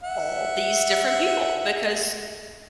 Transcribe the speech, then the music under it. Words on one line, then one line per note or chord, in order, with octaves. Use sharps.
all these different people, because
E5 F#5